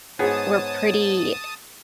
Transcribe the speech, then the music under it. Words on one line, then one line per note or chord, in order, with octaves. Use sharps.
we're pretty
G#2 B3 G#4 C#5 A5 D#6